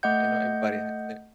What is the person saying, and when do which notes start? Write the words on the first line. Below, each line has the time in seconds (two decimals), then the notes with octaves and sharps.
If You know, everybody has to
0.03 A3 D#5 F#5 G6